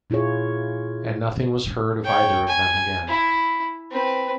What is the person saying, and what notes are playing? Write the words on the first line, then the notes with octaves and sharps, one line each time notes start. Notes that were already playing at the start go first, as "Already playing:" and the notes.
And nothing was heard of either of them again.
A#2 E4 F4 G#4 C#5
C#5 G5
G#5
E4
C4 B4